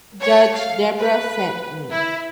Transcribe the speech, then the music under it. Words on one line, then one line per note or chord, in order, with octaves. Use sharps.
Judge Debra sent me.
C#5
F5
B4
E4